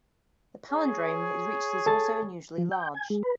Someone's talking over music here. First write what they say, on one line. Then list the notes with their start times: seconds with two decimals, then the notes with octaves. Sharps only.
The palindrome reached is also unusually large.
0.70 G#4 C#5
1.86 A4 A5 A6
2.58 F3
2.71 G5
2.94 G#5
3.10 G#3
3.23 B4